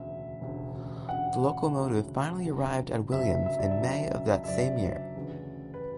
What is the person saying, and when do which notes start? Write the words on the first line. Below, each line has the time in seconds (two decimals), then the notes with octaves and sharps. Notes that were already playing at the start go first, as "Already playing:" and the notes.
The locomotive finally arrived at Williams in May of that same year.
Already playing: E1 D2 C#3 E5
0.41 E1 D2 C#3
1.09 E1 D2 C#3 F#5
1.77 E1 D2 C#3
2.44 F#1 F#2 D3
3.12 F#1 F#2 D3 E5
3.46 E5
3.59 D5
3.71 E5
3.80 F#1 F#2 D3
4.44 E5
4.48 F#1 F#2 D3 D5
5.15 D2 C#3 E3
5.74 B4